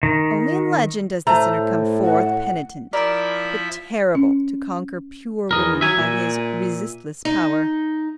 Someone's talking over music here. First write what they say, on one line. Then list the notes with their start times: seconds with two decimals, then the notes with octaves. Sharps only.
Only in legend does the sinner come forth penitent, but terrible, to conquer pure woman by his resistless power.
0.03 D#3
1.27 A2 A3 C5 A#5
2.04 F#5
2.93 F3 E4 A#4 D5 B5
4.15 C#4
5.51 E2 A#4 D#5
5.81 F#3 E5 G#5
5.98 A#2
7.25 D#4